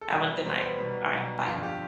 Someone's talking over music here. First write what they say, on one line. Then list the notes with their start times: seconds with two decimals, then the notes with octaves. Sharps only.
Have a good night. Alright, bye.
0.01 A4
0.11 E2 B2 G3 B4
0.45 E2 B2 G3 C5
0.62 B4
0.78 B1 B2 G3
1.13 B1 B2 G3
1.46 G1 F2 D3 F4
1.63 G4